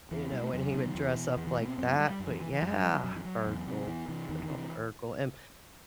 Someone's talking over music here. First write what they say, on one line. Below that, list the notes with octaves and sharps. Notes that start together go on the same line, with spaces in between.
You know, when he would dress up like that, but yeah, Urkel. Good ol' Urkel. And
E2 E3
B2 G3
A3
E2 F#3
B2
D#3
E2 E3
B2
E2 E3
E3
B2 A3
C4
F#2 C4
B3
G3
G3
F#2
E3
E3
E3
F#2 G3
G3
G3
F#3
F#2 F#3
E3
F#3
E2
C3
E2 E3
C3 E3
E2 D#3
D#3
C3
E3